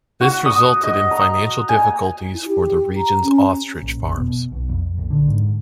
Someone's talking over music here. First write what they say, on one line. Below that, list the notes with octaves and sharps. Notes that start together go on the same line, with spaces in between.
This resulted in financial difficulties for the region's ostrich farms.
F#4
D#6
D#5
A#5
G#5
E4
G4
A#5
C#4
A#1
F1
B2
B1
F2
A#1
D3
G#2